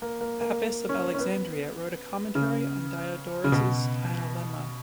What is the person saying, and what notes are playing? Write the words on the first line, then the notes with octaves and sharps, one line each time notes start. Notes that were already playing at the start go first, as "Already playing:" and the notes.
Pappus of Alexandria wrote a Commentary on Diodorus's "Analemma".
A#3
A#3
A#3
C#4
C#4
B3
C#3
C#3
B2